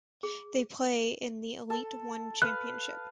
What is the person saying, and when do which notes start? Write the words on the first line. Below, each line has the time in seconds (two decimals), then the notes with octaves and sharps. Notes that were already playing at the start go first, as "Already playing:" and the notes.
They play in the Elite One Championship.
0.23 G#4
1.70 A4
2.42 B4 F5 F#6